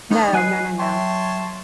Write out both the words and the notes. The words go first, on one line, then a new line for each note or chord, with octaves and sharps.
No. No, no, no.
B3 C#4 D#4
F#3 B4 D#5 G#5 F#6 C7
C#5 E5 G5 A5 C6